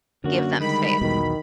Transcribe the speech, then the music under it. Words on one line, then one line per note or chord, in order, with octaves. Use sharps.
Give them space.
F#2 D3 A#3 F#4
D#3 G3 G#3 B5
B1 E2 B2 D#3